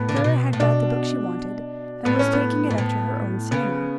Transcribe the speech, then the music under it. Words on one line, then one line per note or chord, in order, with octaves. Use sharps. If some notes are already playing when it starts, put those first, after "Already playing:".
Clara had got the book she wanted, and was taking it up to her own sitting-room.
Already playing: A2 B3
D3
C#3
B2
A2
B2 D4
A2 B3
C#4
B3
G#2
A2
C#3 B3